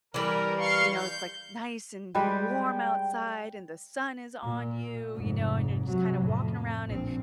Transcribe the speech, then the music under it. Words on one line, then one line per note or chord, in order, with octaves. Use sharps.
you know, it's, like, nice and warm outside and the sun is on you, you know, and you're just kinda walking around, and
E3 G3 A#4
F5 C6 C#6
G6
G3 G#3 B4 G5
A#2
F1 G#2
C3 F#3
F2 A2
A#1 C4